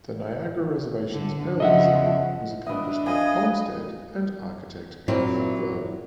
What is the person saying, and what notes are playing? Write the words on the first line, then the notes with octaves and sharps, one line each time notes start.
The Niagara Reservation's early design was accomplished by Olmsted and architect Calvert Vaux.
D3
C#3 F3 D#5 E5 F#5
D4 B4 D#5 E5
G#4 B4 D#5 F5 G#5
A#2 F#3 A#3 C4 E4